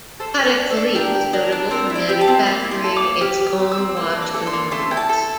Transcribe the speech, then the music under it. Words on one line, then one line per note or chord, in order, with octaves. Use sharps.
Patek Philippe is notable for manufacturing its own watch components.
A4 C5
A4
A#4
D4
A4
D4
G4 A#4
G4
D4 A#4
D4
C4 A#4
E4
D5
G4
A5
C4
A#3
E4
C6
A4
D6
A#3
G4 F6
G4
F6
C4
E6
C4
A#3
D4
D6
A4
C6
A#3
A3 C6
E4 G5
A5
A4